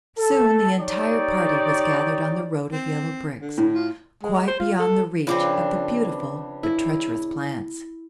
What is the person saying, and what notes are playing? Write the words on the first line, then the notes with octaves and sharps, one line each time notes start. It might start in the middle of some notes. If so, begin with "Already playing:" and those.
Soon the entire party was gathered on the road of yellow bricks, quite beyond the reach of the beautiful but treacherous plants.
A4
D#4 G4 C#5 D5
C4
D3
A2
F4
G#3
C5
F4
A4
C#3 F3 C4 D4 B4
E4